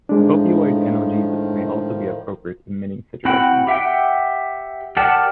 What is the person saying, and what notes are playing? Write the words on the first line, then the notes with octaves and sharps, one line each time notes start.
Opioid analgesics may also be appropriate in many situations.
A2 D#3 F3 G#3 D4
C4 E4 F#4 F#5 G5
G4 E5 F#5 G5
G4 A#4 D5 F#5 G5 A5